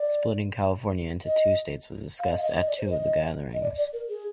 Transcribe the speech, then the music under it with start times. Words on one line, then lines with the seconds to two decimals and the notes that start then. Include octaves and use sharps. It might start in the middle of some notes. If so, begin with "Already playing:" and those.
Splitting California into two states was discussed at two of the gatherings.
Already playing: D5
1.26 D#5
2.19 F5
2.31 D#5
2.38 F5
2.42 D#5
2.56 D#5
2.67 D5
2.78 C5
2.90 D#5
3.01 D#5
3.54 D#5
3.62 D5
3.77 D5
3.93 A#4
4.09 G#4